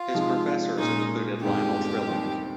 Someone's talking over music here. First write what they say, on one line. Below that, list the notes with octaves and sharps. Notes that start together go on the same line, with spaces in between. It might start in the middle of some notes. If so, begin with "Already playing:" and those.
His professors included Lionel Trilling.
Already playing: F4
C3 F3 G#3 D#4
A#2 G#3 C#4 D#4 G#4
G1 F2 D#3 G#3 G4
D#2 D#3 G3 C4 D#4